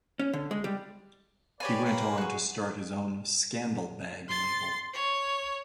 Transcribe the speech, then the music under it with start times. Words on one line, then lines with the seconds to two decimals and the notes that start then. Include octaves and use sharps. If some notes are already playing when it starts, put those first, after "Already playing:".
He went on to start his own Scandal Bag label.
0.19 C#4
0.33 D3
0.51 G#3
0.64 G3
1.60 G4 B4 C#5 D5 G#5
1.85 A#3 A#4 B4
2.18 F#4 G#4
4.29 C6 A6
4.93 C#5